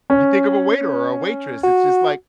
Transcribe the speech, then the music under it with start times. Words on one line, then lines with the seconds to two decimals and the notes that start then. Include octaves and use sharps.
you think of a waiter or a waitress, it's just, like
0.10 C#4
1.63 F#4